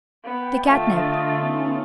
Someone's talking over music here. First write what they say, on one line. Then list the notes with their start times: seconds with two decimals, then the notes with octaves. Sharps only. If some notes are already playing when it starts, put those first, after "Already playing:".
The Cat-nip.
0.25 B3 G5
0.65 D3 A3 F4 D#5 A6
1.35 B3 C#4 D#4